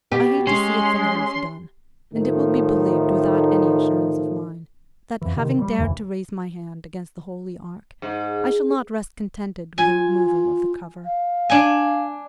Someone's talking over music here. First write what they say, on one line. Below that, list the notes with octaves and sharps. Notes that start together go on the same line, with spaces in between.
I hate to see a thing half done; and it will be believed without any assurance of mine, that, having dared to raise my hand against the Holy Ark, I shall not rest contented with the removal of the cover.
B2 G4
G#3 C#4 C6
A2 D#3 F3 A3 D#4
F2 E3
C3 D#3
E3 G3
F1 D#2 B2 E3
G#2
F4 G#5
F5
D4 G#5